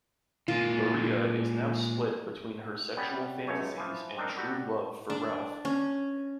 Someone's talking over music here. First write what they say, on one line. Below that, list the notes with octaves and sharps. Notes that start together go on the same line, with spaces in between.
Maria is now split between her sexual fantasies and true love for Ralf.
A#2 G#3 F4
G3 B3 C#4
C#2 F#2 A3 C#5
E3 F3
C4 D4 D#4 A#4
G3 F#4 G4 A4
D4
C#4